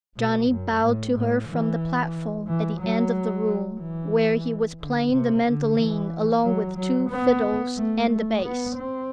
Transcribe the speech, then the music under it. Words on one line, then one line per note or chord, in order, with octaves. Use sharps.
Johnny bowed to her from the platform at the end of the room, where he was playing the mandolin along with two fiddles and the bass.
B2
F#2
A2
A2
E3
E3
F#3
E3
D3
C3
D3
E3
F#3
F#3
B3
A3
A3
B3
C4